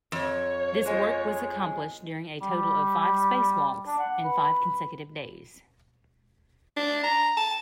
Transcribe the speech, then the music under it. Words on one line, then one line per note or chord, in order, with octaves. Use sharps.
This work was accomplished during a total of five spacewalks in five consecutive days.
F2 C#5
F3 G#3
G3
D4
F#5
B4
D4
A#5
A5